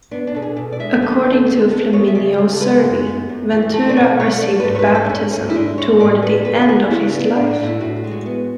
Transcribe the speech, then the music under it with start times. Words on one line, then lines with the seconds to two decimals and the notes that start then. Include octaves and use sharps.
According to Flaminio Servi, Ventura received baptism toward the end of his life.
0.11 B3 D4
0.27 D4
0.34 B2 A4
0.42 G#4
0.56 B2 A4
0.72 D5
0.79 G#3 E5
1.02 D3 A4
1.18 G#4
1.25 D2
1.33 A4
1.48 B3 G#4
1.70 B3 A4
1.93 G#3 C#5
2.08 E5
2.15 C#3 D5
2.38 C#3
2.53 A4
2.61 G#3 B4
2.84 F#2
3.06 B3
3.29 F#2
3.52 E3
3.73 A3 A4
3.89 D5
3.96 B2 C#5
4.20 A3 C#5
4.41 A3 D5
4.60 B4
4.64 G#2 A4
4.75 C#5
4.79 B4
4.86 G#2
4.95 A4
5.04 D4
5.09 G#2 C#4
5.32 G#2 C#4
5.50 E4
5.54 G#3 D4
5.78 A2 C#5
6.00 A2 D5
6.22 B3 B4
6.45 C#3 B4
6.61 F#4
6.68 G#3 G#4
6.90 C#3 E4
7.06 D4
7.14 B3
7.20 D4
7.35 A2 D4
7.51 D4
7.59 A2
7.66 E4
7.81 A2 F#4
7.96 F#4
8.04 G#3
8.11 F#4
8.26 B3